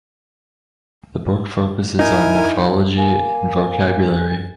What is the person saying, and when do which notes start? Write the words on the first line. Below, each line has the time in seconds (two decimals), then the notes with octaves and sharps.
The book focuses on morphology and vocabulary.
1.99 D#4 E4 A#4 G#5
2.97 A#3 G#5